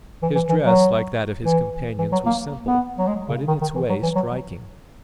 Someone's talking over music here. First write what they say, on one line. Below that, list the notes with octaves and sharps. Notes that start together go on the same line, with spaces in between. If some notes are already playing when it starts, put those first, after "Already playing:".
His dress, like that of his companions, was simple, but in its way striking.
E3
E3
E3
F#3
E3
E3
F#3
A#3
B3
F#3
G#3
C#3
D#3
D#3
E3
F#3
E3
F#3